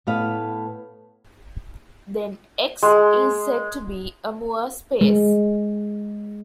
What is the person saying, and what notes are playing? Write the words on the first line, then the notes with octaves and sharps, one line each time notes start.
Then "X" is said to be a Moore space.
A2 B3 F5
G#3
G#3